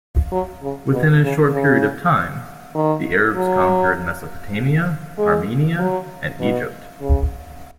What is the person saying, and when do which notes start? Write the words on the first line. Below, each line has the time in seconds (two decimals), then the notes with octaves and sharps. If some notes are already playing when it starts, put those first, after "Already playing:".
Within a short period of time, the Arabs conquered Mesopotamia, Armenia and Egypt.
0.32 F#3
0.62 C#3
0.92 B2
1.23 C#3
1.53 C#3
2.75 D#3
3.36 F#3
5.18 G#3
5.79 F#3
6.40 B2
7.00 C#3